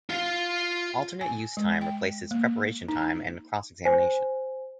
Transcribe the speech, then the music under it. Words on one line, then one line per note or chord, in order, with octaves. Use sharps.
Alternate use time replaces preparation time and cross-examination.
F4 F5
G#5
G#3
G5
A#3
D#4
C5 G#5